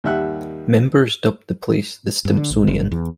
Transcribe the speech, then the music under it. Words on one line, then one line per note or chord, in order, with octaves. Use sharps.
Members dubbed the place The Stimpsonian.
D#2 D#3 G3 E5 F#5 F#6
G2
D3
A#1
G1
E2